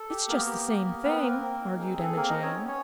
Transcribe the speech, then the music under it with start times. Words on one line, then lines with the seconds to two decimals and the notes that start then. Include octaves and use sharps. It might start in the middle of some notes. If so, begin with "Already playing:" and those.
"It's just the same thing," argued Emma Jane.
Already playing: A4
0.09 G4
0.28 A#3 B3 A#4
0.47 G4
0.67 B3
0.85 B3
1.03 B3 C4 B4
1.22 A#3 C4 A#4
1.41 C4
1.61 D#4
1.79 C4 G#4
1.98 G#4 A4
2.16 A#3 C4 A#4
2.29 D#4 D#5
2.35 C4
2.42 C#4 C#5
2.54 B3
2.67 C#4 C#5